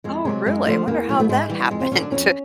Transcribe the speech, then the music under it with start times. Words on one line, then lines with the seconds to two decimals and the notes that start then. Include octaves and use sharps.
Oh, really? Wonder how that happened.
0.04 F2 G#3
0.25 C3 D#3 F#3 G#3
0.46 F#2 G#3
0.66 D3 F3 A3
0.88 E2 A#3
1.09 B2 F#3 A3
1.20 A3
1.29 G#2 G#3
1.50 E3 G3
1.70 F2 G#3
1.81 C4
1.92 D3 F#3 C#4
2.02 D4
2.12 F2 C#4